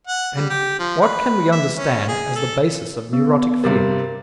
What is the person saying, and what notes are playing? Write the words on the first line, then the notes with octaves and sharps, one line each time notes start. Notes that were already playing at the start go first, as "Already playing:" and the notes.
And what can we understand as the basis of neurotic fear?
F#5
G3
G4
F3
B4
E5
C#4
G#4
A4
B3
G2 C3 G3 A#4 A6